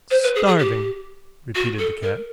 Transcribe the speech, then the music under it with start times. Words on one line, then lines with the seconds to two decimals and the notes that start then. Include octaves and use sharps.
"Starving!" repeated the Cat.
0.10 C5
0.23 B4
0.35 G#4
0.47 G#4
0.59 G4
1.55 F#4
1.79 A4
2.02 A#4